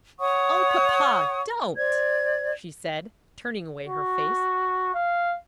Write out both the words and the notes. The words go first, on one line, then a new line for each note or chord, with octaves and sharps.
"Oh, papa, don't!" she said, turning away her face.
C#5 F#5 C#6 D#6
C5 D5 G#6
F#4
F5